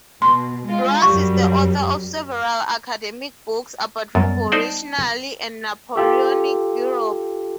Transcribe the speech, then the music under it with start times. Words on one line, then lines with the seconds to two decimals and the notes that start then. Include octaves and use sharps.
Broers is the author of several academic books about revolutionary and Napoleonic Europe.
0.22 B2 C6
0.66 G#3 F4
1.02 F#2 F#3 G3 C#6
4.15 F#2 G3 B3 A6
4.52 D#4 C5 D5 A5
5.96 F4 G4 A4